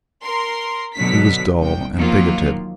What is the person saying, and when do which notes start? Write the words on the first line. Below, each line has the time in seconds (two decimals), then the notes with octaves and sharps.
He was dull and bigoted.
0.22 A#4 C6
0.95 B2 D3 F#3 B6
1.59 C2 G5
1.95 D#3 F3 F#3 A#3 F4